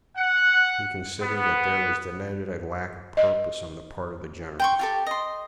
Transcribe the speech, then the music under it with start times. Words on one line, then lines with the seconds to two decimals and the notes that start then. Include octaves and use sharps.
He considered that there was denoted a lack of purpose on the part of the generals.
0.17 F#5
1.21 B3
3.17 D#5
4.60 G5 C6 C#6
4.79 F4 G4 A4
5.06 D#5 C6